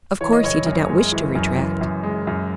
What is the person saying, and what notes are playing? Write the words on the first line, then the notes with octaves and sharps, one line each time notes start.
Of course he did not wish to retract.
E3 C#5
D#5
F#1 C#5
F#2
G#3
E3
F#2
E3
F#2
G#3
F#2